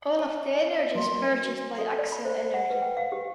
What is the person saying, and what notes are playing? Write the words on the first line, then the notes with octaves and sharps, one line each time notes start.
All of the energy is purchased by Xcel Energy.
C#5
F#3 A#3 C6
F#4
A4
D5
B5
C5
F#5
B4
G5
F5
G4